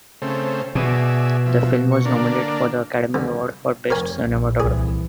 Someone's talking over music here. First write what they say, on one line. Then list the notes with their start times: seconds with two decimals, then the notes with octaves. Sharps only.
The film was nominated for the Academy Award for Best Cinematography.
0.22 C#3 A3 C4
0.75 B2 G#4 D5 E5
1.46 F3 E5
1.92 C#6
2.05 D3 A#3 D4
3.14 C2 D3
3.90 F1 A#4 C#5 G#5
4.25 A#1
4.60 C2 E3 G#4